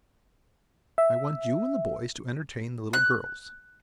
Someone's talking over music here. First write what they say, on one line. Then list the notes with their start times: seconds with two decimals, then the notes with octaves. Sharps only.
I want you and the boys to entertain the little girls.
0.98 E5
2.93 F#6